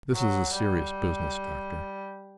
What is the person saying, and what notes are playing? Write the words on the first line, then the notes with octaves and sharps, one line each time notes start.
"This is a serious business, Doctor."
F#3
G3